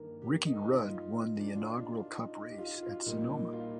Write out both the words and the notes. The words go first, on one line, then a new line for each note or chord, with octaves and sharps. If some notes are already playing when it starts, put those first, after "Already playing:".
Ricky Rudd won the inaugural Cup race at Sonoma.
Already playing: G2 D#3 A#3 A#4
G4
D#4
F4
D4
F4
D#4
F4
D#4
D#4
G4
F4
F4
A#2 G3 A#3 D#4
F4